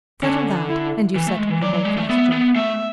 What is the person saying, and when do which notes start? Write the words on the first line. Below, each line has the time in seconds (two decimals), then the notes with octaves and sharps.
Settle that, and you settle the whole question.
0.23 D3 C#4
0.69 E4
1.16 E3
1.28 A3
1.39 G#3
1.50 E3
1.62 F#3 D5
1.74 F#3
1.85 G#3
1.97 A3
2.09 B3 E5
2.32 B3
2.55 A3 E5